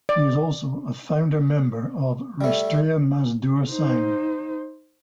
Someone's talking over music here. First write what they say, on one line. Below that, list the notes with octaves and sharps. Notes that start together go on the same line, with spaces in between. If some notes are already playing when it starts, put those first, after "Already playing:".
He is also founder member of Rashtriya Mazdoor Sangh.
D5
G3 A3
D#4 C5